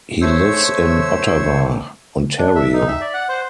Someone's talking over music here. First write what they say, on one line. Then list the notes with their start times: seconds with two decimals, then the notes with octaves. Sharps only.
He lives in Ottawa, Ontario.
0.21 A3 C5 C#5 E6
2.38 D4
2.55 E5
2.73 D#4
2.88 E5
3.01 D5
3.14 F#5
3.29 C5